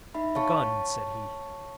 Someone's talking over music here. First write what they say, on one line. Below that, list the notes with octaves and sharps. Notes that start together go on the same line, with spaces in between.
"The gun!" said he.
D#4 E5 B5
C#5 F5 A5 C#6